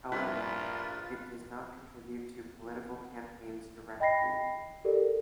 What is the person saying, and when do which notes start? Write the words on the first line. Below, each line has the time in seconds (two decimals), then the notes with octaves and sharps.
However, it does not contribute to political campaigns directly.
0.12 A#1 G2 E4 F4 B4
4.00 D#5 G5 B5 A#6 C7
4.85 G4 A4 A#4 D5